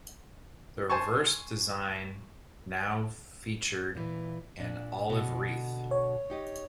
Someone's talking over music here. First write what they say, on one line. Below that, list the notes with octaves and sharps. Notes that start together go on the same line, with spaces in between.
The reverse design now featured an olive wreath.
C5 G#5 A5 C#6
A#2 E3
A#2 D4
B2 D3
C#5
D#4 G4 D#5